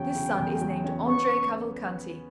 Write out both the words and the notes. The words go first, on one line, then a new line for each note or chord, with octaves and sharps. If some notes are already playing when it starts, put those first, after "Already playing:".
This son is named Andrea Cavalcanti.
Already playing: E2 C#3 F#3 C#4 G5
C#3
E2
F#3
C#4
B3 C#6